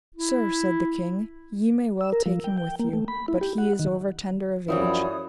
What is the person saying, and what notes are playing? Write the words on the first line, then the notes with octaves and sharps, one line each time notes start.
Sir, said the king, ye may well take him with you, but he is over tender of age.
E4
E6
A#4
F3
G5
G5
A#3
A3
B5
E4
G4
F#5
D#3
F#2 E3 F3 G3 E4 C#5 D#6